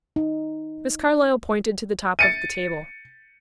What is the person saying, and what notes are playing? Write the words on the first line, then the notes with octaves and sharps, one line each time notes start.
Miss Carlyle pointed to the top of the table.
D#4
A6 C#7 D#7